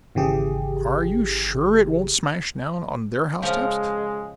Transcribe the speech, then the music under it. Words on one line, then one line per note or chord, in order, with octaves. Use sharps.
Are you sure it won't smash down on their housetops?
G#1 C#3 E3 G4 G#4
C#3 F3 G#3 A#4